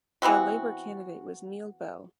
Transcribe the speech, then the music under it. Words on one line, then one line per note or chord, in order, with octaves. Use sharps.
The Labor candidate was Neil Bell.
E3 B3 C4 F#4